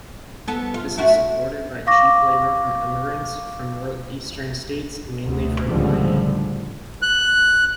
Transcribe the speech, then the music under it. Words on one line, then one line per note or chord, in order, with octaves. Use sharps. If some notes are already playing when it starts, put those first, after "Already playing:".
This is supported by cheap labor from emigrants from northeastern states, mainly from Bahia.
B3 A4
F4
A3 E4 F#4
F5 C#6 D6 A#6
D2
C#2 A2 D3 F3 G3
F#6